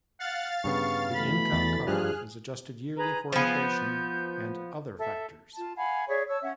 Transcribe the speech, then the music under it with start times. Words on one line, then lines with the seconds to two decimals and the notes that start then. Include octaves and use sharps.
The income cutoff is adjusted yearly for inflation and other factors.
0.20 F5 F#5 A6
0.64 G2 C#3 B3 C#6
1.15 B2 E3 A3 B5
1.52 E2 A6
1.87 G2 F3 G3 G#4 F6 F#6
2.98 G#4 B4 A#5
3.32 F3 B3 G#4 F5
3.62 G6
4.99 A4 E5
5.56 F4 A5
5.77 F5 F#5 G#5 B5
6.08 G#4 C#5 D5 E5
6.28 C#5 A5 E6
6.41 C#4 E5 F#5